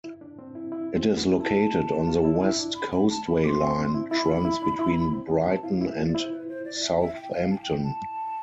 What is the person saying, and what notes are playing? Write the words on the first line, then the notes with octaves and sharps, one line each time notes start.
It is located on the West Coastway Line which runs between Brighton and Southampton.
E4
D4
C4
E4
E4
C4
B3
E4 A5
F4
E4
D4
E4
D4
B5
B5
A5
B5
C4 D6
C6
C4
D4
E4
E4 B5
E4
F4
E4
D4
E4
C4
B3
C4 A5
E4 F5
E4 E5
F4 D5
E4 C5
B4
C5
D5
E5
E5
G5
F5
A5
G5
A5